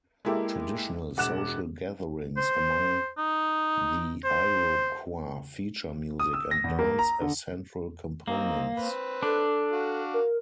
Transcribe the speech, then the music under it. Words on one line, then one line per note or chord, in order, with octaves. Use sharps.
Traditional social gatherings among the Iroquois feature music and dance as central components.
G#3 A#3 E4 G4 A4
E1 F#5 D6 F#6 E7
C5
D#4
C5
D#6
E6
A#6
E2
A#3
A#5
D3
A#3 C4 D#4
C4 B4 C5
D4 A4
F#4 F5
A#4